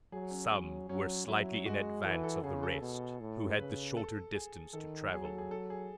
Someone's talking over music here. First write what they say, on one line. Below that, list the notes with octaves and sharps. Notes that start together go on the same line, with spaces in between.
Some were slightly in advance of the rest, who had the shorter distance to travel.
F#3 G#4
C#4
F#3
F#3 C#4
F#3 E4
G#3 F#4
E3 A4
A4
C#3 G#4
A4
B2
A2
C#3 B4
A4
G#4
D#3 A4
F#3 G#4
A4
G#4
A4
G#4